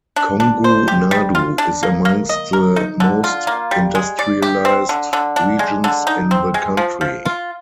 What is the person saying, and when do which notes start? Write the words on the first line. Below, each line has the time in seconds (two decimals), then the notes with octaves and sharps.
Kongu Nadu is amongst the most industrialised regions in the country.
0.16 D4
0.40 D4
0.64 C5
0.88 G4
1.11 G3
1.35 F4
1.58 D4
1.83 A#3
2.05 A#3
2.29 D#5
2.53 A#4
2.76 D#4
3.00 D3
3.24 F4
3.47 A#3
3.71 G3
3.95 G#3
4.19 D5
4.42 G4
4.65 C4
4.89 D3
5.13 D3
5.36 D4
5.59 G#3
5.84 D3
6.07 D#4
6.31 C4
6.54 G#3
6.77 F3
7.01 F3
7.25 F4